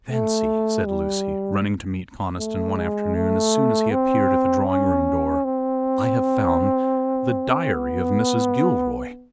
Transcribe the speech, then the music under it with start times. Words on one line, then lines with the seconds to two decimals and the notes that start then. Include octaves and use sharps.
"Fancy," said Lucy, running to meet Conniston one afternoon as soon as he appeared at the drawing-room door, "I have found the diary of Mrs. Gilroy."
0.10 A3
0.87 G3
2.38 A3
2.76 G#3
3.16 A3
3.92 C4
4.68 C#4
5.45 C4
7.74 B3